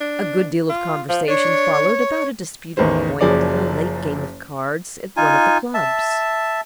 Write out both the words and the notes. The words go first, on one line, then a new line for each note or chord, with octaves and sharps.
A good deal of conversation followed about a disputed point in a late game of cards at one of the clubs.
D4
F4
F3
D4 C#5
A1 E2 D#3 B4 C5
F#1 F#2 F3 G#4 C#5 D5
D#4 F4 G#5
E5 A5